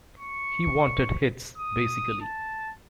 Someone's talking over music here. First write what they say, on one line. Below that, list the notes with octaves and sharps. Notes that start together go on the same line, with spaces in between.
He wanted hits, basically.
C#6
D#6
A5